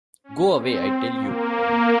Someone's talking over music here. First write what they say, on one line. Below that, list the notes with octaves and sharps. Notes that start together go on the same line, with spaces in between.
Go away, I tell you.
C#4
C4
A#3